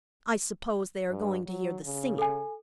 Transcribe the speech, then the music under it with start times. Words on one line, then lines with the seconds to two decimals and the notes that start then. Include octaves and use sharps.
I suppose they are going to hear the singing.
1.10 G2
1.47 F#3
1.83 C#3
2.19 A4 G#5